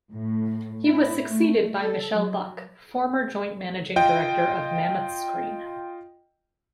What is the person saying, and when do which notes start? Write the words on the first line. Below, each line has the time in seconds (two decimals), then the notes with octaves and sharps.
He was succeeded by Michele Buck, former joint managing director of Mammoth Screen.
0.12 A2
0.86 E4
1.28 A3
1.77 A4
2.14 F#3
3.96 F4 D#5 G5